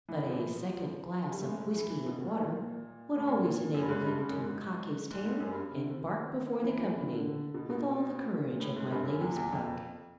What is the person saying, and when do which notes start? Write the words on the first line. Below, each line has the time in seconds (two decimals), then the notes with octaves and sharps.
But a second glass of whisky-and-water would always enable him to cock his tail and bark before the company with all the courage of my lady's pug.
0.09 E3
0.24 F3
0.33 E3
0.45 F3
1.15 F#3
1.31 G3
1.41 A3
1.45 G#3
1.61 A3
1.76 E3
1.90 E3
2.06 B2
2.21 A#2
2.37 A#2
2.52 A#2
3.17 A2
3.28 A#2
3.44 A#2
3.75 F#2
3.81 G2
3.89 G#2
4.04 G2
4.19 G#2
4.30 F#2
4.40 G#2
5.11 G#2
5.26 G#2
5.40 F#2
5.51 G2
5.72 D3
5.87 D#3
6.63 E3
6.78 F3
6.93 E3
7.03 D#3
7.13 D3
7.54 B2
7.70 B2
8.45 A#2
8.60 A2
8.76 G#2
8.86 F#2
8.91 G2
9.06 F#2
9.21 E2
9.37 E2
9.52 F2